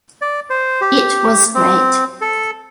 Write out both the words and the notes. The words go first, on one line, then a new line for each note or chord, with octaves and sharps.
It was great.
D5
C5
G4
C4
A4